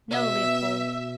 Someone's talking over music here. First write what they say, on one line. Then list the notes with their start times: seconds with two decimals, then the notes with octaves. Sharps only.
No, Leopold.
0.11 B2 E5